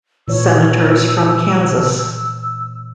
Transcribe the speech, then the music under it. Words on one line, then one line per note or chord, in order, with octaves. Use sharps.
Senators from Kansas.
A#2 E3 C#5 E6